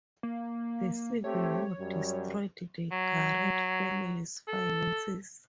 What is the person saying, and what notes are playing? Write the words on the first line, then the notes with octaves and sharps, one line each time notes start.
The Civil War destroyed the Garrett family's finances.
A#3
A3 C4 G4 C#5
F#2 F#3 G3
F#3
A4